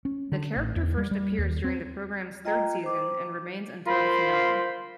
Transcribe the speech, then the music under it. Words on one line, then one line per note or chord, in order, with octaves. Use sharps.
The character first appears during the program's third season and remains until the finale.
C#4
D3
A1
E2
G3
G3
D#2
C4
F4 D#5 G5 A#5
C5 D6
F4 A#4 C5 F5 B5 C6